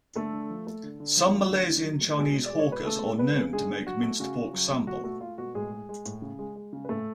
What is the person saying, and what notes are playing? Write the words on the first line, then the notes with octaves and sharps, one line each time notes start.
Some Malaysian Chinese hawkers are known to make minced pork sambal.
D3 A3 A4
D3
F3
A3
D3
D3
F3
A3
D3
D3
F#3
A3
B2 G#3 G#4
G#3
D5
G#3
C#5
B2 B4
C#3 A3 A4
G#3
G#3 B3 B4
C#3
D3 G#3 G#4
D3
F#3 F#4
A3
C#3 F#4
C#3
F#3
A3
B2 F#4
A3 F#4
A3 F4
B2 F#4
A2 G#3 G#4
G#3
G#3
A2
C#3
G#3
G#3
C#3
B4
A2 A3 A4